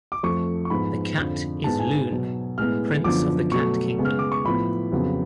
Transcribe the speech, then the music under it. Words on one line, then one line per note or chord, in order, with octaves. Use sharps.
The cat is Lune, Prince of the Cat Kingdom.
D6
F2 F3 A3 C#6
C#6
G#2 F3 B3 B5
F2 D3 F3
G#2 G#3 B3 A5
G#5
B2 F#3 B3
A2 G#3 B3 F6
F#2 D3 F3 B3 D6
B2 F#3 A3 C#6
C#3 G#3 B3
F6
D6
C#6
A2 F3 B3 B5
F2 C#3 F#3 B3